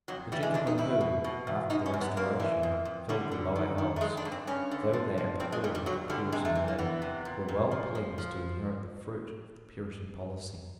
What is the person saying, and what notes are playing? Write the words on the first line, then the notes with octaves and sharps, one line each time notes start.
The gentlemen who, after the Restoration, filled the Lower House, though they abhorred the Puritan name, were well pleased to inherit the fruit of the Puritan policy.
F2 F#3
E3 G3
G#3
F2 D4
D#4
E2 E4
B2
B2
E2
F#2 D#4
C#4
F#2
B3
F#2 A#3
E3
F2
F2
D3 G3
D3
D#3
D#3
A3
G2 G#3
D4
G2
C4
G2 C#4
D3
F3
F3
G2 C4
G#3
G2 G3
G3
G2 F#3
D3 G3
C3 G#3
A3
E3
A#3
E3 B3
C3
A#2
A#2
F3
F3
F3